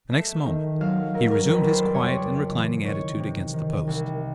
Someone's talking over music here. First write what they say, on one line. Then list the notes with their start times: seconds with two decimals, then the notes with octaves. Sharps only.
At the next moment he resumed his quiet and reclining attitude against the post.
0.11 A3 E5
0.46 D#3
0.81 F#3 F5
1.14 F#3 A#4
1.31 A#4
1.48 F2 B4
1.72 C5
1.82 G3 D5
1.94 C#5
2.16 C#3 D5
2.51 E3
2.85 D#3 C#5
3.19 C3
3.54 D#3
3.87 C2